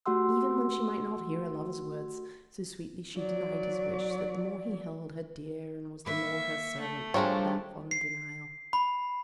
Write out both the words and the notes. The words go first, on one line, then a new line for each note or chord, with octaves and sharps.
Even when she might not hear a lover's words, so sweetly she denied his wish that the more he held her dear and was the more her servant for that fond denial.
A3 F#4 G4 F#5 C6 E6
F#3 D5
A#3 B4 E5 C#6
A3
F3 G3 C4 D4 G#4 A#4 C#5
C7
B5